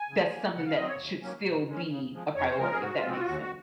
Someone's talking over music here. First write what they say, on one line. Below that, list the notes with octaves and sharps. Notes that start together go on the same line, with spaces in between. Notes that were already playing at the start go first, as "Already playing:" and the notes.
that's something that should still be a priority, if that makes sense.
Already playing: G#5
C#3
F3 A#3
C#3 F#5
F5
F#3 C4 D#5
C#5
D#2
D#3 F#3 A#3 C#4
A#2
G#3 C#4
C#3
F3 G#3
F2 C#5
C5
C#3 F3 G#3 A#4
G#4
G#2 F#4
F4
F3 G#3 C4
F#4
F4
D#2 F#4
F#4